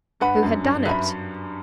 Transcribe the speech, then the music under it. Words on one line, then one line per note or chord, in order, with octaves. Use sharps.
Who had done it?
G2 B4 F#5 B5
G2
F#2
G2
F#2 B4 E5 B5